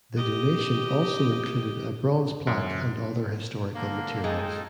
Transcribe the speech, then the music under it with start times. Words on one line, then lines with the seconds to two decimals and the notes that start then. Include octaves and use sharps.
The donation also included a bronze plaque and other historical materials.
0.16 G4 D#5
2.47 F#2
3.75 D3 A#3 A#4
4.24 G#3 D#4 F4 A4 G5 G#5